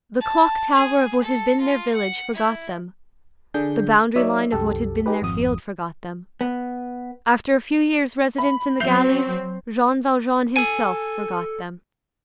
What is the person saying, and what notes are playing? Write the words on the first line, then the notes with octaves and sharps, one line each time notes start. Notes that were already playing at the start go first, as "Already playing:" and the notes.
The clock-tower of what had been their village forgot them; the boundary line of what had been their field forgot them; after a few years' residence in the galleys, Jean Valjean himself forgot them.
A5
G#4
A4
F4
F#5
E4
D3 D4 G#4 G6
F#3 D#4 C#5 D5 E5
C2 F#2 G4 A4
D#4 G4 G#4 B4
G#1 F2 D#6
B3
B5
F#3 C4 G6 C7 F7
A4 G#5